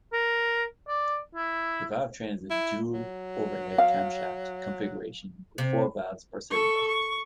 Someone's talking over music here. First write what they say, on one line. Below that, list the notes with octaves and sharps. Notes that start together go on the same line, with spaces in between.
The valve train is a dual overhead camshaft configuration with four valves per cylinder.
A#4
D5
E4
E4
F#3
F5
C3
A4 C#6
C#6